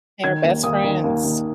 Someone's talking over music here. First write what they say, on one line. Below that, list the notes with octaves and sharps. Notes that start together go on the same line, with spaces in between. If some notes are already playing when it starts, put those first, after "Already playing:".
They were best friends.
D#3 G#6
D#2
D#2 D#6
D#3
D#2
D#2